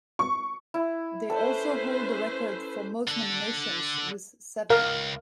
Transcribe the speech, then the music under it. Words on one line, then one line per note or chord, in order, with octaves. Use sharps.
They also hold the record for most nominations, with seven.
C#6
E4
C#4 A4 B4 C5
D3 A4
C#2 A#4 F5